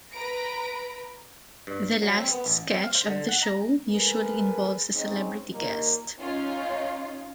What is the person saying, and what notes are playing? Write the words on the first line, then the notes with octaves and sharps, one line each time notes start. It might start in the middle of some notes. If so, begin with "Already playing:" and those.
The last sketch of the show usually involves a celebrity guest.
B4 A#5 A#6 D7
G2
F#3
C4
B3
A1
C4
F5
C5
D3
F#5
A#5
D#2 A3 G#4 A#4 B4
G#3 C4 C#4 D#4
D#2 A#2 A#3 D#4
C#4 D#4 F4